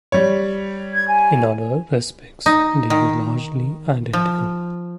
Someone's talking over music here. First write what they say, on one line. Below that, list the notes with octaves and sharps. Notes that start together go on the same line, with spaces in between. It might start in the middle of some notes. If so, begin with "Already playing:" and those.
In other respects they were largely identical.
G3 C#5
G#6
G#5
D#4
D#3
F3